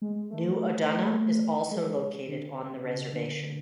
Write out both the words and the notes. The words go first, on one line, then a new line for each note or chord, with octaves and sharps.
New Odanah is also located on the reservation.
G#3
A3
A3
G#3
D3
C#3
D3